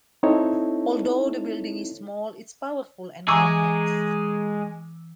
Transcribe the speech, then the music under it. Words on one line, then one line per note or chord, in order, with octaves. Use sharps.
Although the building is small, it is powerful and complex.
C4 D#4 E4 A4 C#5
E3 G#3 G#4 G#5 A#5 C#6 D6 E6